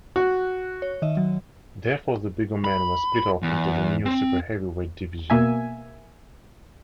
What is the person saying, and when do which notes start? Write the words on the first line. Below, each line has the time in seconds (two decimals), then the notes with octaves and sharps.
Therefore, the bigger men were split off into the new super heavyweight division.
0.16 F#4 F#6
0.82 C#5
1.02 D#3 D#5 E5
1.17 F#3
2.64 B5
3.43 E2
4.06 C4
5.30 B2 A#3 E5 G#5